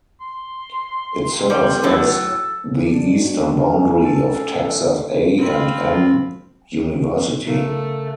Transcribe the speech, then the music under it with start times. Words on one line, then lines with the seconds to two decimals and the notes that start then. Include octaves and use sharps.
It serves as the eastern boundary of Texas A and M University.
0.21 C6
1.50 G3
1.84 F#2 A2 F#3 A4
2.86 D4
3.08 B2
3.59 C#4
3.80 C#4
4.05 A4
4.44 A2
5.38 C4 F4 B5
7.45 C#3 A3 A#4 F5